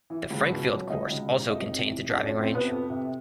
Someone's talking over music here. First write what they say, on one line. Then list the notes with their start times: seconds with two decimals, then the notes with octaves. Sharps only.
The Frankfield course also contains a driving range.
0.10 E3
0.30 C#2
0.50 B2
0.70 F#3
0.90 C#2 D#4 D#5
1.10 C#2
1.30 B2
1.50 F2 D#4 D#5
1.70 C3
1.90 E3
2.10 F2 D4 D5
2.25 C#4 C#5
2.30 F2
2.40 C4 C5
2.49 C3
2.55 B3 B4
2.70 F2
2.90 C3